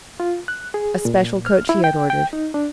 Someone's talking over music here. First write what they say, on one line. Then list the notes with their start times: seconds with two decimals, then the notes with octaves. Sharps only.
A special coach he had ordered.
0.20 F4
0.48 F#6
0.74 G#4
1.05 A#2
1.46 F6
1.69 E4
1.84 G5
2.10 G5
2.33 D#4
2.54 D4